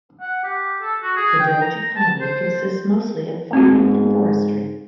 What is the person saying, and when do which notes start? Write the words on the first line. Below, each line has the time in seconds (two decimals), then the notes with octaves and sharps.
The village economy consists mostly of farming and forestry.
0.21 F#5
0.44 G4
0.81 A4
1.03 F#4
1.16 G#4
1.40 G5
1.61 A#5
1.96 A5
2.21 C5
3.53 G#2 C4 F#4